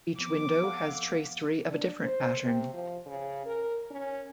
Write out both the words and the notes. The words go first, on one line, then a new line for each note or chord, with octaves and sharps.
Each window has tracery of a different pattern.
F3 B3 C4 D6
A4 F5 F#5
D4
C5
C3
F3
C#3
A#4
C#4